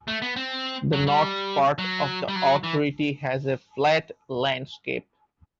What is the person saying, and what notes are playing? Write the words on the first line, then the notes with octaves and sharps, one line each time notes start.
The north part of the authority has a flat landscape.
A3
B3
C4
F#3
G3
F#3
G3
F#3
E3